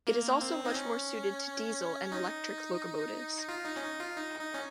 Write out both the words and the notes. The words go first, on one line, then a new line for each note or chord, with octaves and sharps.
It is also much more suited to diesel and electric locomotives.
A#3
C4
D#4
C#4
D#4
F4
D#4
C#4
D#4
F4
D#4
D#4
C#4